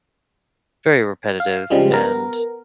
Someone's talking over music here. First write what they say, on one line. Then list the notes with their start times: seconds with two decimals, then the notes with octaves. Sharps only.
very repetitive and,
1.40 F5
1.70 C#3 F3 G3 G#3
1.91 B3 A#4